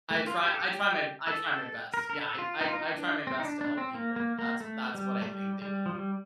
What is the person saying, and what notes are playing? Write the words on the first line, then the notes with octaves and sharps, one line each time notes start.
I try I try my I try my best. Yeah. I I I try my best to help people. That's that's what I think they would learn.
A3
F4
G4
A4
G4
A4
A#4
A#4
A4
F4
D#4
F4
D#4
D4
C4
D#4
D4
D4
C4
A#3
A#3
A#3
A3
G3
A3
G3
G3
F3
G3